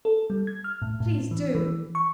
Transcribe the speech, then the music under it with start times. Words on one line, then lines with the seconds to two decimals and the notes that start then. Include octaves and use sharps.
Please do.
0.05 A4
0.30 G3
0.47 G#6
0.64 F6
0.82 A2
1.00 A2
1.31 E3
1.55 E3
1.95 C#6